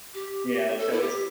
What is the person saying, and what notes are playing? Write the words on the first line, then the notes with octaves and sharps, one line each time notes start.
you know, so it's
G4
A4
E4
G4